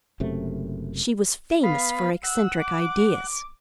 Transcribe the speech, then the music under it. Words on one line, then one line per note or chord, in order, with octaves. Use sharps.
She was famous for eccentric ideas.
F#1 F#2 C3 A3
B3 F5 B5
F#5 E6
D6